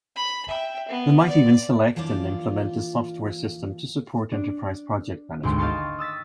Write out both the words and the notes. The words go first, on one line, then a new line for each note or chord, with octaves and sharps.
They might even select and implement a software system to support Enterprise Project Management.
B5
E5 G5
B3
D5
E3 F3 A#3 D4 F4 D5
D4
G#1 D2 G#3 G5 C6
D#5 F5 G5 A5 C6 C#6
D#6 E6 A6 B6